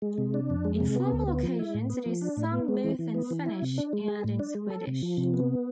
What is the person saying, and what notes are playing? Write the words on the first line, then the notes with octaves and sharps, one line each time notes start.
In formal occasions it is sung both in Finnish and in Swedish.
G#3
C3
D4
F2
G#3
C3
B3
D2
B3
F3
E4
A2
B3
F3
D4
A2
B3
G#3
E3
E3
B3
E3
E4
C3
D4
G#3
G#4
A2
D4
G#3
A4
C3
F3
C3
B3